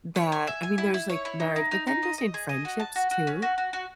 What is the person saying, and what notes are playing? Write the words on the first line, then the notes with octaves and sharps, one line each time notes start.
that I mean, there's, like, marriage, but then just in friendships, too.
C#5
G#5
E5
G#5
E4
E4
C#5
E4
D#4
D#4
D#4
D#4
D#5
D#5
G#4
D#5
F#4
A5
F#4
F#4
C#4
F#4
F#4
F#4